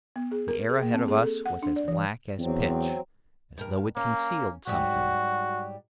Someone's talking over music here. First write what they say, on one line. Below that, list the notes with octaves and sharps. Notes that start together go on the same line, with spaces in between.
The air ahead of us was as black as pitch, as though it concealed something.
B3
G#4
A#4
G#4
A#3
C4
G#4
A4
F#5
D4
D5
E3
E2 F#3 C4
G2 A#4
A#3 C#4
G#2 F#3 G3 F#4